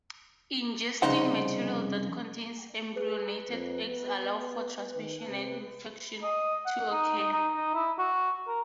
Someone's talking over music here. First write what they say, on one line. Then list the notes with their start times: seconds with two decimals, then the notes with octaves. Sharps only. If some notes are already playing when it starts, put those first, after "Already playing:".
Ingesting material that contains embryonated eggs allows for transmission and infection to occur.
1.02 C2 F2 C#3 D#4 C5 F#5
2.96 G#4 B4
3.49 F2
3.84 B3
4.96 D#3
5.27 C3
6.23 D#5
6.65 F#5
6.91 D#4
7.17 D#4
7.32 D#4
7.56 D#4
7.74 E4
7.98 F#4
8.47 A#4